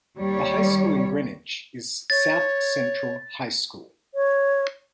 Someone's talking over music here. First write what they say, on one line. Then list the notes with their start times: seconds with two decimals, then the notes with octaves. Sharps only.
The high school in Greenwich is South Central High School.
0.17 D#2 G3 C#5
2.10 C#5 A6
4.15 C#5